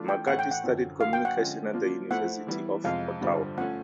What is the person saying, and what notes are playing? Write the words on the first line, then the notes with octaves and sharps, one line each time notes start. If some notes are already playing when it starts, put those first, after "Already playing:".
Makati studied Communication at the University of Ottawa.
Already playing: E3 A3 D4 F4
G5
A2 E3 A3 F#5
G5
F#5
F#2 D3 F3
D3 F#3 A#3 F5
G5
F#5
D3 F3 G#3 C#4
F3 A#3 D4 F4
F3 A3 C4 E4 F#5
E3 G3 B3 E4
F2 C3 F3 G#3 F5
G2 D3 G3 C4 F4
F3 A3 C#4 F#5